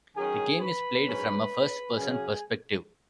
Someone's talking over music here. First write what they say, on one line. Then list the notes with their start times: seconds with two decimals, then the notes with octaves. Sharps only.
The game is played from a first-person perspective.
0.15 D#3 F#3 C#4 G#4 G#5
0.60 B4 B5
1.05 G#2 F#3 C#4
1.95 F#2 C#3 F#3 C#4 G#4 G#5